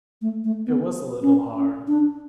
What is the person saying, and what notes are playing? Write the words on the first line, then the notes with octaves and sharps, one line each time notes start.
It was a little hard.
A3
A3
B3
C#4
C#4
D4